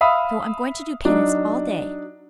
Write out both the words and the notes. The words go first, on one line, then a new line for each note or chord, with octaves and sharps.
So I'm going to do penance all day.
E5 F5 B5 D#6 E6
F#3 D4 D#4